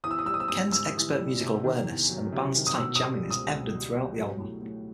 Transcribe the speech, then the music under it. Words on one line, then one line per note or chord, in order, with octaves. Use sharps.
Ken's expert musical awareness and the band's tight jamming is evident throughout the album.
E3 D#6
E6
D#6
G3 E6
D#6
E6
G#2 D#6
G#2 E6
E3
G3
C3
D#3
E2
F#3
C3
D#3
D#6
B2 E6
D#6
G3
C#2
D#6
C#2
B2
G3
F#3
A2
A2